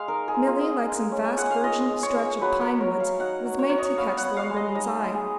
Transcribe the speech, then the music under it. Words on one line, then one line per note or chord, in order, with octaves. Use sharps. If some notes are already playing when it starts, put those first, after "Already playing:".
Milly, like some vast virgin stretch of pine woods, was made to catch the lumberman's eye.
Already playing: G#3 F5
D#4 A#4
G#4
G#3
F4
D#4
D#5
G#3
C#4
G#5
G#3 F#5
F5
F4 D#5
G#3
C#5
G#3
F#3 B4
A#4
F#3
C#5
F#3
F5
D#4 F#5
F#3
C#5
F#3 C#5
D#5
B3 F5
F#5
B3
F5
G#3
D#5
D#4 D#5
G#3
G#4